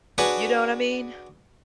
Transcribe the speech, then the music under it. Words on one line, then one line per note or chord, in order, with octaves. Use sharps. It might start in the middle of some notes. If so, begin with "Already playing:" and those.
You know what I mean?
D4 F#4 G#4 B4 C#5